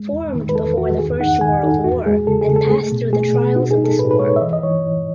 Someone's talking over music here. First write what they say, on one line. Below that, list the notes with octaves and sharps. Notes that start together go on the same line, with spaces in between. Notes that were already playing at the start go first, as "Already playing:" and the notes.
Formed before the First World War and passed through the trials of this war.
Already playing: G#3
E2
D#3
B4
E2 A4
E2 F#4
D#3 G#4
D#4 F#5
D#3 G#5
D#4 A4
E2 F#4
G#3 G#4
C#3 A4
G#4
C#3
A4
A3 G#4
B2
A3 G#4
B2 G#4
D#4 F#4
G#4
D#4
A4
A2 B4
B4
G#3 C#5
E5
E3 D#5
D#5
E3 C#5
E3